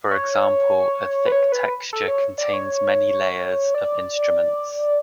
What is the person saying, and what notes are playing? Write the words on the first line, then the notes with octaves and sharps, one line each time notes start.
For example, a thick texture contains many "layers" of instruments.
C#5
B4
C#5
B4
A4
C#5
D5
C#5
D5